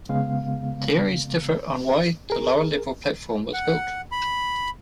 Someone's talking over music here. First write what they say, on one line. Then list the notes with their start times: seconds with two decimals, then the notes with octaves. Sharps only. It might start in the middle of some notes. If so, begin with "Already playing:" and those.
Theories differ on why the lower level platform was built.
0.09 C#3 G#3 B3 F5
2.30 G#4 A#4
3.54 F#5
4.12 B5